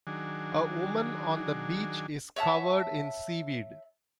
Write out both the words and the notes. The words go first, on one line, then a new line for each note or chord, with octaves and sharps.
A woman on the beach is covered in seaweed.
D#3 F#3 D4 G#4
C#5 E5 F#5 A5